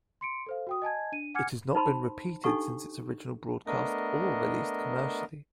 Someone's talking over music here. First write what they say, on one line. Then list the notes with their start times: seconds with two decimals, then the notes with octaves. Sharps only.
It has not been repeated since its original broadcast or released commercially.
0.21 C6 C#7 D7
0.46 A4 C5 F5
0.67 F#4 G5 D#6
0.82 D#5 G#5 A5 G#6
1.12 D4 D#7
1.35 F#5 G#5 D6 F6 G#6 C#7
1.75 D#4 C5 A5 B5 C6
2.44 D4 D#4 G4 A4 F#5 C#6
3.67 A3 B3 D4 A#4 D#5